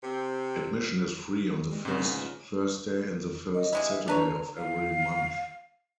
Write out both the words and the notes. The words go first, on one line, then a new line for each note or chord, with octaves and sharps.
Admission is free on the first Thursday and the first Saturday of every month.
C3 C4
G3 G#3
G#2 C#3 C4
D2 E5 G#5
E2 F3
D#5
C3 G#3 E4
E5
D4 B4 C#5 A#5
F5